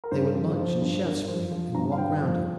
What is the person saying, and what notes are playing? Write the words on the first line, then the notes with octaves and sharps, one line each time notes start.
They would lunch in Shaftesbury and walk round it.
A#4
G2 C5
F3
F3
G2
G2 A#4
F3 C5
F3 C5
G2 A#5
F5
G2 G5
F3